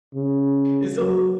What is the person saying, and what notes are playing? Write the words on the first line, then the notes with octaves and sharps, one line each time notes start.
It's a l
C#3
F#3